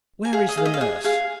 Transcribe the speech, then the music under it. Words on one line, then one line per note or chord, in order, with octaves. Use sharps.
'Where is the nurse?
G#5
G#4 F5
D#5
G#4 F5
D#5
F5
G#4 G#5
G#4 F5